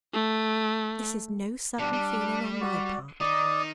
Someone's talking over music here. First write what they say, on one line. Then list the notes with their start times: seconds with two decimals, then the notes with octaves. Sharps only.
This is no sudden feeling on my part.
0.13 A3
1.79 B2 G3 D4
1.93 G3
2.60 F#4 D5
3.20 D#3 D#4 D5 D#6